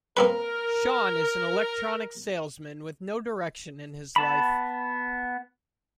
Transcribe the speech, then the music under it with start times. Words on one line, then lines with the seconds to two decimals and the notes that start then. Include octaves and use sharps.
Shaun is an electronics salesman with no direction in his life.
0.17 A#3 C4 A#4 B4
4.16 B3 A5 B5